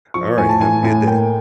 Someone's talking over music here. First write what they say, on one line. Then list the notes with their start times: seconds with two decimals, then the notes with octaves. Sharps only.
Alright, have a good day.
0.14 F3 C#6
0.38 A2 G#5
0.49 A5
0.60 E3 G#5
0.83 A2 G#5
1.07 A#3 G5